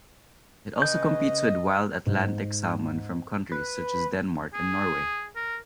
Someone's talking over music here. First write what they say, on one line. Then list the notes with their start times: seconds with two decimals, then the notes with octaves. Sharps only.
It also competes with wild Atlantic salmon from countries such as Denmark and Norway.
0.82 C#3 B4 D#5 G6
2.06 G#2
3.52 B4
4.54 G#4
5.36 A#4